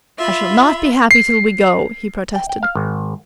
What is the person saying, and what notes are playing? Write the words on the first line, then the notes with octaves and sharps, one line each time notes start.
"I shall not be happy till we go!" he protested.
F4 E5 B5
C7
G5
G5
F5
G#1